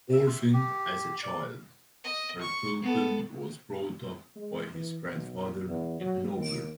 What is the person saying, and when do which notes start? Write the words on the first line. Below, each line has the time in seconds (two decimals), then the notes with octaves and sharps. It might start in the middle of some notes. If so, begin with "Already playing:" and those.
Orphaned as a child, Hartleben was brought up by his grandfather in Hanover.
0.13 E5
0.53 G4
1.23 D5
2.04 D#5
2.41 C#6
2.82 B3 A4
4.35 G#3
4.74 E3
5.11 B1
5.68 E2
6.00 F#3
6.35 D#2